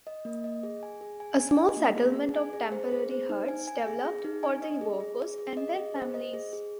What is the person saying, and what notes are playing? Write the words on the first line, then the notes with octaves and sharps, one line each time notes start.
A small settlement of temporary huts developed for the workers and their families.
D#5
A#3
D#5
G#4
G#5
G#4
G#5
G#5
D#5
A#3
G#4
G#4
G#5
G#4
C5
G#4
C5
D#4
G#5
G#5
G#4
G#4
D#4
G#5
D#5
G#4
G#4
G#4
G#4
D#5
G#4
C5
D#5
G#4
G#4